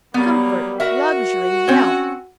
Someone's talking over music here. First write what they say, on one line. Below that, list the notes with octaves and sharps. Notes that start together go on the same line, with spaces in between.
Comfort, luxury, wealth!
F#3 G3 A#3 B3
F#4 A#4 E5
C4 C#4